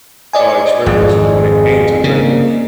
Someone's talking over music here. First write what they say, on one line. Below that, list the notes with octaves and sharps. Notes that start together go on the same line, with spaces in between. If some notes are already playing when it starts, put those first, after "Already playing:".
uh, experiences when it came to venues
D5 D#5 G#5
G#1 F2 G#4
C#3 A#3